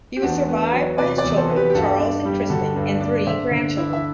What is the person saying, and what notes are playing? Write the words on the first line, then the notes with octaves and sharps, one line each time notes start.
He was survived by his children, Charles and Kristin, and three grandchildren.
G4
E2 D4 F#4
B3
F#3
C3 B4 D5
B4 D5
E2
A4 C5
B3
G4 B4
G4
G2 F#4 A4
D4
G3
D3 F#4 A4
G2
D4
D3 C5 E5
D3
E4
E5